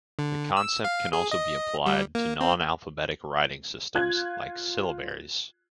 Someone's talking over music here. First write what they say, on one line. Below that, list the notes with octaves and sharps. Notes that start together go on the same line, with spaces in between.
The concept can also be applied to nonalphabetic writing systems like syllabaries.
D3
E6
F5
G#4
D#5
G3
A#3
C4
F4 F#6 G#6